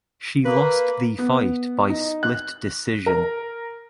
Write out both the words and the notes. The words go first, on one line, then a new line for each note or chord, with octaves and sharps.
She lost the fight by split decision.
A#3 B4
B3
D#4
F#6
A#4